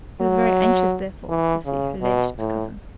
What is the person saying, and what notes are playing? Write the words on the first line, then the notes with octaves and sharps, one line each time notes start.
He was very anxious, therefore, to see "her leddyship's" cousin.
F#3
E3
C#3
B2
A2